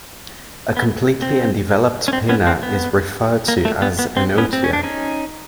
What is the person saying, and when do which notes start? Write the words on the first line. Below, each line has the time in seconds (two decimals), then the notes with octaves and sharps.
A completely undeveloped pinna is referred to as anotia.
0.77 B3
1.22 C4
2.08 C#4
2.13 C4
2.29 B3 C#4
2.47 C4
2.63 B3
3.48 A#3
3.65 A3
3.82 B3
3.99 B3
4.17 C4
4.38 B3 C#4
4.53 C4
4.64 C#4
4.73 D4
4.83 C#4 D#4